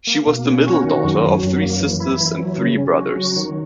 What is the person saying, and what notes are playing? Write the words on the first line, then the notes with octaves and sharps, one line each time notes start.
She was the middle daughter of three sisters and three brothers.
A#3
B2
C#4
F#4
D#3
F#2
F#3
F#2
A#3
E3
E4
E3
F#3
C#3
C#4
F#4
F#3
D#3